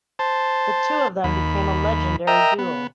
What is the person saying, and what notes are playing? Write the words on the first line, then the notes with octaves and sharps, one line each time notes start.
The two of them became a legendary duo.
C5 A5
D#2 B5
A#4 D#5 E5 G5 A#5
B3